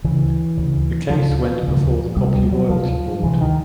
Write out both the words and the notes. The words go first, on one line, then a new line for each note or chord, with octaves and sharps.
The case went before the Copy Royalty Board.
D2 C#3 E3
D2 C#3
D2 C#3 F3
D2 C#3
D2 C3 G3
G3
F#3
D2 C3 F3
D2 C3 E3
D#3